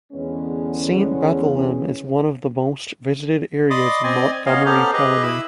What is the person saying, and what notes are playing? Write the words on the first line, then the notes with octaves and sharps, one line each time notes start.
Saint Bethlehem is one of the most visited areas in Montgomery County.
E2 D3 G#3 B3 C#4
D5 D#5 B5 C6 D6 D#6
C4 D5 D#5 G#5
B3 C#4 C#5 D#5 F5
B3 C#4 G4 A4 C5 A#5
G4 G#4 B4 D#5
E4 B5 E6